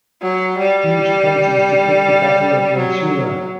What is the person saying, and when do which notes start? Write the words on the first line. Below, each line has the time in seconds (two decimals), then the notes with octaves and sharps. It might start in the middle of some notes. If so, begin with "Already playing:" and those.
Huge paintings depict the Battle of Mansoura.
0.22 F#3
0.58 G3
2.77 F#3